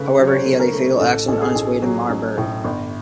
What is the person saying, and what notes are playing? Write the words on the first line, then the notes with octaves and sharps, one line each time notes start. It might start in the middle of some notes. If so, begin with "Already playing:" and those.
However, he had a fatal accident on his way to Marburg.
Already playing: C#3 A3 B4
F#3 C5
C#5
C5
A3
A#4
A3
A1 A4
A1 A4
G#4
A1
F#3
A1
A2
G1